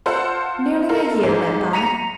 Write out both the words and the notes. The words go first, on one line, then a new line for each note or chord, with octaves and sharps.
Nearly a year went by.
F4 C5 F#5 A5 C6 E6
F4 A4 A#4
G#2 G#4
A#5 B6 C#7 D#7 F7